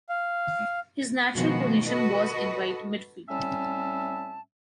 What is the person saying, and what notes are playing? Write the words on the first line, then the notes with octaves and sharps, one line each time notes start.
His natural position was in right midfield.
F5
B2 D#3 F3 G#3 B3 F#4
F#4 A4 B4 D#5
A2 G3 C4 C#4 E5 A5